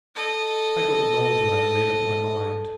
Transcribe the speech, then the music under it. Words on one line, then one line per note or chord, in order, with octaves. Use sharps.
I don't know that I've made up my mind.
A4 D#5